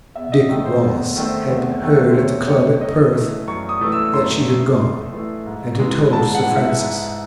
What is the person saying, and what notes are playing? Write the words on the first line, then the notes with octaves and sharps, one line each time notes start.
Dick Ross had heard at the club at Perth that she had gone, and had told Sir Francis.
E2 E5
D#5
D#3 A3 C4
C5
E2
D#3 A3 C4
E2
D#3 A3 C4
C5
E2 C#5
D#3 A3 C4 C#5
F#2 D#5
E3 A3
F#2 C#6
D#6
E3 A3
E6
F#2 C6
E3 A3
F#2 C6
E3 A3
G#2
E3 G#3
G#2 A5
F#5
E3 G#3
E5
G#2